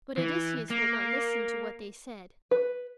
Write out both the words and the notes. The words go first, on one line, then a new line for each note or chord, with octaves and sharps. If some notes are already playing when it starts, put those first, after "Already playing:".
But Odysseus would not listen to what they said.
E3
A#3
B4